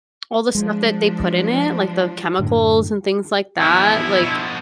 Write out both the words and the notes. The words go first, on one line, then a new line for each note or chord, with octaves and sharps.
all the stuff that they put in it, like the chemicals and things like that, like,
F3 G#3 D4
F#2 A2 D3
E2 F3 E4
B2 F3